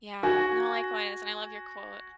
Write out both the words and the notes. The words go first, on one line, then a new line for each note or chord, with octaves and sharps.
Yeah, no, likewise, and I love your quote.
F#4 G#5